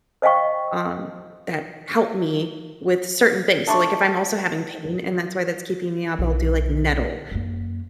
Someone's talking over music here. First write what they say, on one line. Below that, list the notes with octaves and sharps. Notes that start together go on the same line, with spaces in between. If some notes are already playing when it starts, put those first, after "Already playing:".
um, that help me with certain things, so, like, if I'm also having pain and that's why that's keeping me up, I'll do, like, nettle
C5 D#5 F5 G5 C#6
A3 D4 C6 C#6
B1
F#2 A#3